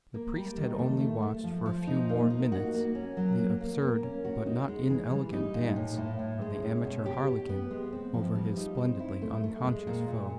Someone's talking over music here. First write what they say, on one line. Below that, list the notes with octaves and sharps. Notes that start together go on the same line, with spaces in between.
The priest had only watched for a few more minutes the absurd but not inelegant dance of the amateur harlequin over his splendidly unconscious foe.
A#3
G3
D#3
A3
A3
A3
F3
F3
D#4
A#3
D#4
F#4
A#3
C#4
F#3
A#3
A#3
A#3
C#4
F#4
D#4
G#3
E3
G3
D#4
A#2
A2
A2
A2
G#3
C#4
B2
G4
G4
B3
G#3
C4
F3
G3
D#4
C4
E4
A3
A3
G#3
A#2
A#2